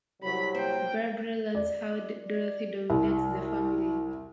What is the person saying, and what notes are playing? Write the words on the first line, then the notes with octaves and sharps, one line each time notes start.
Barbara learns how Dorothy dominates the family.
C2 C3 F#3 B5 B6
A#3 C5 G5
D5
C2